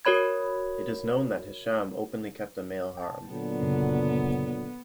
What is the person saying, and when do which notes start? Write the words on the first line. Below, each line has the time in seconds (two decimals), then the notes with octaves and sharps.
It is known that Hisham openly kept a male harem.
0.05 F#4 A#4 C#5 B5 G#6
2.97 G5 A5
3.30 A#2 D3 F#3 B3
3.61 F#2 C#3